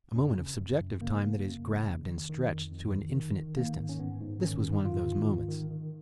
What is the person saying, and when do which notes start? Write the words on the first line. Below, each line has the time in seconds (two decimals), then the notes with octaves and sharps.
A moment of subjective time that is grabbed and stretched to an infinite distance. This was one of those moments.
0.15 F#2 C#4
0.37 C#3
0.59 F#2
0.80 F#2
1.01 C#3 A#3
1.22 C#3
1.44 F#2
1.65 C#3
1.86 F2
2.08 D#3
2.29 D#3
2.50 F2
2.71 F2
2.93 D#3
3.14 D#3
3.36 D#3
3.57 D#3 A#3
3.79 G#2
3.89 C#4
4.00 G#2 B3
4.21 G#2
4.42 D#3 C#4
4.64 G#2
4.85 G#2 F4
5.06 D#3
5.27 G#2
5.49 D#3
5.71 D#3